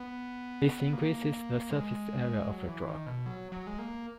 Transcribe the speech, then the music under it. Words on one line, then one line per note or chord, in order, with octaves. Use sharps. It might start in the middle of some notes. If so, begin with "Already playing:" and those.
This increases the surface area of the drug.
Already playing: B3
A#3
G#3
F#3
E3
D#3
B2
F#3
F#3
G#3
A#3